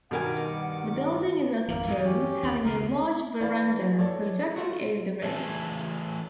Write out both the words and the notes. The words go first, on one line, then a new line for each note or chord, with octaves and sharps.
The building is of stone, having a large verandah projecting over the road.
G2 B2 D#3 A#4 F#5 G#5 D6
G#1 F2 E3 A#3
E2 G2
C#4 G4
D#2 D#3
C#2 C3 A#4
E3 D5 F5 B5
G#4
A4 C#5 D5
A3 F4 F#4
E3 A3 G#4 A4